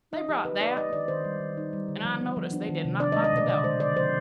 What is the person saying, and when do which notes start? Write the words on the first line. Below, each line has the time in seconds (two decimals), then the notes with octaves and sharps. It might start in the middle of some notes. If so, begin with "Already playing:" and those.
They brought that, and I noticed they did not lock the door.
0.13 D#4 D#5
0.29 F3 G4
0.45 D3 B4
0.60 D#4 D5
0.76 G#3 D#5
0.93 D#3 D5
1.08 D#3 C5
1.25 G3
1.41 D#3
1.57 D#4
1.73 G3
1.88 D3
2.04 F3
2.21 B3
2.36 F3
2.53 D4
2.69 D#3
2.85 C3
3.00 D4 D5
3.12 D#5
3.16 G#3
3.24 D#5
3.33 B2 D5
3.48 D3 D5
3.64 G#3 C5
3.80 D3 D5
3.97 F3 C5